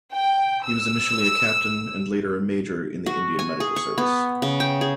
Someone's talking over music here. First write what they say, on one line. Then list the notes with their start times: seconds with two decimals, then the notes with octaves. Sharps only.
He was initially a Captain, and later a Major, in the Indian Medical Service.
0.12 G5
0.66 E6
3.06 F#4
3.39 G#5
3.60 G#4
3.76 C#6
3.98 B3
4.42 C#3
4.60 G5
4.81 G#4